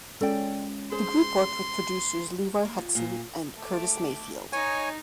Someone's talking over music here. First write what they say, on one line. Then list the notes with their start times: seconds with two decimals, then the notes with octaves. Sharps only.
The group worked with producers Leroy Hutson and Curtis Mayfield.
0.21 G#3 C#4 F4 A4 D5 G5
0.92 G#4 C5 C6
2.65 A#3
2.78 F2
2.95 A#2
3.59 A3 D6
4.53 D#4 C#5 G#5